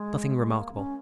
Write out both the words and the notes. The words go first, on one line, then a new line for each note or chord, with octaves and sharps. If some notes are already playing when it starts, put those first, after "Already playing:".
Nothing remarkable.
Already playing: G#3
G#3
A#3
C#4